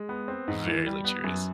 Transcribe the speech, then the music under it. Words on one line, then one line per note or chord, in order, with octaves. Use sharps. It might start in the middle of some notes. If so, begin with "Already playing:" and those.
Very luxurious.
Already playing: G#3
B3
C4
G#2
E3
G3
B3
F#2